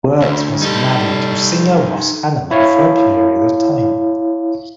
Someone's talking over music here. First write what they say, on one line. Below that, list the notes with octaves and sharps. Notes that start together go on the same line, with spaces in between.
Wirtz was married to singer Ross Hannaman for a period of time.
D2
G3 D#4 A4
E4 C#5 F5